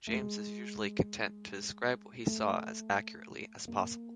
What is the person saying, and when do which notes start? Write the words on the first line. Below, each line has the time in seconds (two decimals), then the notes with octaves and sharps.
James is usually content to describe what he saw as accurately as possible.
0.07 A3
0.13 G#3
2.26 A3
3.68 A#3